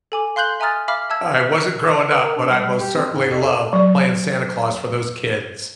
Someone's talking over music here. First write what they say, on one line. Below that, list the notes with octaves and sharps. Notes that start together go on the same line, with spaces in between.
I wasn't growing up, but I most certainly loved playing Santa Claus for those kids,
A4 G#5 D6
F5 C6 F#6 G6 F#7 G7
E5 G#5 A#5 D#6 F6 A6
E5 F5 B5 D6 F6
E5 A5 E6 G#6
E5
B4
A#4
D4
G3
G3
G4
C4
G#2
F2
A4
F#3 D5